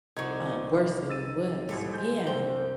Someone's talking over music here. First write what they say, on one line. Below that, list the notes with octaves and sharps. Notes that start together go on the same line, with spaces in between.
uh, worse than what it was Yeah.
C2 D3 F3 D#4 F#4 C#6 G#6
E6 A6 D#7
A1 D#2 F3 G3 A4
G#3 G6
C2 F#2 C5 G5 G6